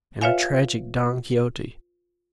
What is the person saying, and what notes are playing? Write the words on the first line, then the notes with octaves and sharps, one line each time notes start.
And a tragic Don Quixote.
F4 B4 C#5 E5 F5 G#5